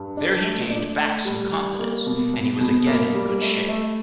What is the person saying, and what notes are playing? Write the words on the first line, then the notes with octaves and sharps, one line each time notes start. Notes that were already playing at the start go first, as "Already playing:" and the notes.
There he gained back some confidence and he was again in good shape.
Already playing: G2
D4
A3
D4
A3
G3
G3
A#3
B2
B2
B2
A#3
G3
A3
A3